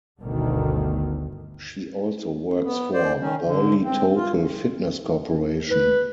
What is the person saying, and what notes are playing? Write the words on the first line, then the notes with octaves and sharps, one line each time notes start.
She also works for Bally Total Fitness Corporation.
G1 D2 B2 D3 D#3
B3
C5 D5
D#3 C#4
D3
C4
F4
B4